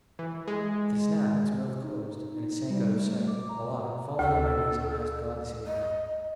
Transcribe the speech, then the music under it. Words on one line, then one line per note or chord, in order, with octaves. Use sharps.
With a snap its mouth closed, and it sank out of sight, while I, falling on my knees, asked God to save me.
E3
G#3
D#4
D#4
D#4
G3
A3
D6
A#5
B2
D2 A4
D#5